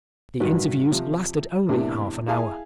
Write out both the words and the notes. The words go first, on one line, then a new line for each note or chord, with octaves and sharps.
The interviews lasted only half an hour.
A1 G2 D#3 F#3 F#4 B4
C3 F3
E2 A2 C3 E3 A#3 D4
E4 G#4 E5 F5 G#5 A5